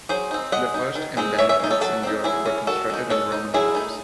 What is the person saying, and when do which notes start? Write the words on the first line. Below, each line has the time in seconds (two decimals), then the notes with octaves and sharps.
The first embankments in Europe were constructed in Roman times.
0.09 F#3 G#4 C5
0.31 C4 D#4
0.52 G#3 D#5 F#5
0.74 D#4
0.95 D#3
1.17 G#3 C4 D#4
1.38 E3 C#5 E5
1.49 C#5 E5
1.60 G#3 D#4
1.71 A4 C#5
1.81 F#3 F#4 A4
2.03 C4 D#4
2.24 F#3 E4 G#4
2.45 C#4
2.67 D#3 F#4 A4
2.90 G#3 D#4
3.10 G#3 A4 C#5
3.32 D#4
3.54 F#3 E4 G#4
3.75 A3 D#4